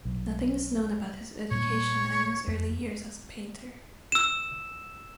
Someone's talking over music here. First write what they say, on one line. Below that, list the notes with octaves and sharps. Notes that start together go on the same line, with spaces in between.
Nothing is known about his education and his early yeas as a painter.
B1
A#2 G3 A#3 C#5
F2
E6 E7